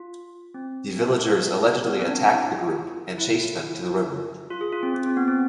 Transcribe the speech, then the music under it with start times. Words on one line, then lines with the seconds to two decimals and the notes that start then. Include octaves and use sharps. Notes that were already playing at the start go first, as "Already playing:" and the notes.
The villagers allegedly attacked the group and chased them to the river.
Already playing: F4
0.54 C4
1.87 B3
1.98 C4
2.09 D4
2.19 D4
2.31 E4
3.18 E4
4.50 F4
4.61 G#4
4.72 F4
4.83 C4
4.94 C4
5.06 C4
5.17 B3
5.28 C4